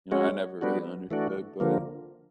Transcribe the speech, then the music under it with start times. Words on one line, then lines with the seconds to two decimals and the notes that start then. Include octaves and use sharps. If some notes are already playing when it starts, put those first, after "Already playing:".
You know, I never really understood, but
0.11 G#3 C#4 F#4
0.61 G3 B3 D4 F#4
1.10 E3 A3 D4 F#4
1.60 D3 F3 A#3